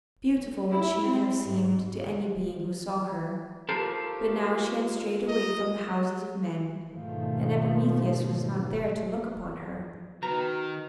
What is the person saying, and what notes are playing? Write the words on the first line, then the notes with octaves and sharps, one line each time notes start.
Beautiful would she have seemed to any being who saw her, but now she had strayed away from the houses of men and Epimetheus was not there to look upon her.
E4
C4
G#2
F4 G4 A4 A#4 C5
D#5
G#2 B2 D#3 F3 A3
D#3 B3 F#4 B4 A#5